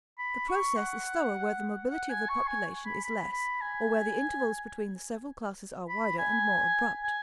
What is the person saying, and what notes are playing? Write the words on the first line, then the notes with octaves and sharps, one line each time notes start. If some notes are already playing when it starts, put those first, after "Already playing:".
The process is slower where the mobility of the population is less or where the intervals between the several classes are wider and more abrupt.
B5
C#6
F#5
F#5
G#5
C#6
G#5
B5
B5
B5
G#5
B5
G#5
G#5